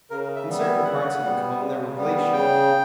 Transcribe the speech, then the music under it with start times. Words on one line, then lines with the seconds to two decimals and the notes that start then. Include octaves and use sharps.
In certain parts of the cone there were glaciers.
0.10 C#3 A#4
0.36 E5
0.47 G3 B3
0.60 E5
0.84 C#3 F#5
1.22 G3 B3
1.59 C#3
1.96 G3 B3
2.33 C#3 G5